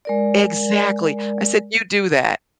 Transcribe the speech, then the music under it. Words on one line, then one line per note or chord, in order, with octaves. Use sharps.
Exactly. I said, "You do that,
G#3 A#4 D5